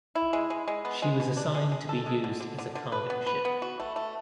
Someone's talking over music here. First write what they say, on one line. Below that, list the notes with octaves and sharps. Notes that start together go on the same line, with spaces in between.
She was assigned to be used as a cargo ship.
E4
G#3
G#3
G#3
B3
G#3
B2
D4
G#3
G#3
A4
G#3
D3
D3
D3
D3
B4
B3
B4
B3
F#4
A3
A3